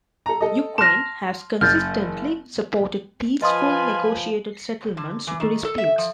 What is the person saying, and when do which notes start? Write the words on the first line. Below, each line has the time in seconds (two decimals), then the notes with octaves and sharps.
Ukraine has consistently supported peaceful, negotiated settlements to disputes.
0.26 A4 A#5
0.41 A4 D#5
0.78 A5 C6 F6 A#6
1.61 F#1 F6 G6 A6
3.42 F3 F4 B4 D#5 G#5 C6 D#6
4.97 D3
5.27 E3
5.40 D#3
5.65 A4
5.78 E5
5.98 F3